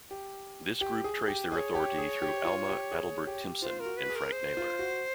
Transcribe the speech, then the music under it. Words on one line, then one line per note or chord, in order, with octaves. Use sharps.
This group trace their authority through Alma Adelbert Timpson and Frank Naylor.
G4
G4
G#4
G4
G#4 C#5 D#5
G4
G#4
G4
F4
G4
G#4
G4
F4 C5
A#4
F#4
B4
G#4
A#4
C5
F4
F#4